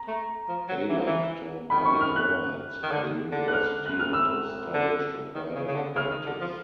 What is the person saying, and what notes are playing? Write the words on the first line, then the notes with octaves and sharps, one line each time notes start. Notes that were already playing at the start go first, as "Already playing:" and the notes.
Alak taught Public Law at the university and established a private practice.
Already playing: A#5
A3
F3
F#3
E3
F3
E3
D#3 B5
C#6
F6
F#6
D#3
D3
D3
F#6
F6
F#6
F6
E6
D3
D#3
C#3
C#3
D3
C#3 F6
D#3
D3
F3